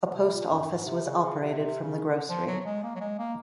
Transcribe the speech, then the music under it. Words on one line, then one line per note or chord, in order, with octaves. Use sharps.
A post office was operated from the grocery.
C3
A#2
F#2
G#2
C3
C#3
C#3
C3
C3
C#3
F3
F#3
F#3
G#3
A#3
F#3
G#3
A#3